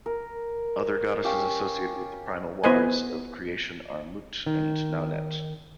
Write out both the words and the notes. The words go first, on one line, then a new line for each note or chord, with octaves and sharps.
Other goddesses associated with the primal waters of creation are Mut and Naunet.
A#4
C#4 G4 F5
B3 E4 B4 C5 D#5 G#5
D#3